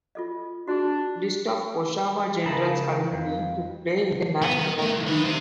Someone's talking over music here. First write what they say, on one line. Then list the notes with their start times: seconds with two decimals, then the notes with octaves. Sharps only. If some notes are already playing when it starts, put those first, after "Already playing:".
List of Oshawa Generals alumni to play in the National Hockey League.
0.15 F4 A4 D#5
0.68 D4 F#4 G#4
2.46 C#3 G#3 D#4 A#4 A5 B5
3.12 F2
4.42 B3
4.57 D#3
4.79 A3 A#4
4.92 C2
5.07 D#3 B4
5.25 G4 C5